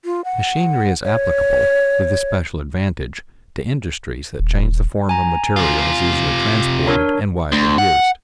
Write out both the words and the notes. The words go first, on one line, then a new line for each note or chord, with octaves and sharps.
Machinery is applicable with especial advantage to industries that change the form of materials easily transported and widely used.
F4
F#5
C#5
D#1
G#5 A#5
C3 F4
D4 A#4 C#5
D2
F#5